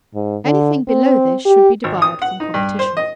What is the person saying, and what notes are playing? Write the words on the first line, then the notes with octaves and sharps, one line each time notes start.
Anything below this should be debarred from competition.
G#2
D3
C4
G4
G#1
D#6
F#5
D#4
G2
C5
D#5